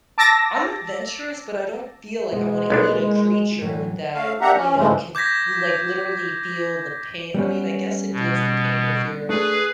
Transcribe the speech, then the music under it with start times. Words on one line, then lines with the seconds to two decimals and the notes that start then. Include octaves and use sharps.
I'm adventurous, but I don't feel like I wanna eat a creature that, you know, can, like, literally feel the pain I mean, I guess it feels the pain if you're
0.18 A5 D6 E6 A6 A#6
2.32 B2 G#3
2.70 B1 A#3 B3 D4 E4 B4
3.61 A2 E3 F#3
4.13 A3 F5
4.41 A#3 D4 G4 E5 F#5 A#5
4.55 C#4
4.76 G2 C#3 E3 F3 G#3 A3
5.15 D6 G6 G#6 A#6 B6
7.34 G3 B3 C#4
8.13 B2
9.29 A3 D4 G#4 A4 B4